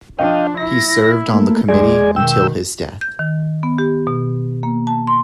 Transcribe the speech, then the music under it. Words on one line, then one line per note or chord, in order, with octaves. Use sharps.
He served on the committee until his death.
F3 D4 D#5 F5 G5
E4 A#6
A3 A#3
E2 G#3 G#4 D5 G#5
B2 D#3 G5 E6
G6
D#3
B3
G4
B2
A#3
A5
C6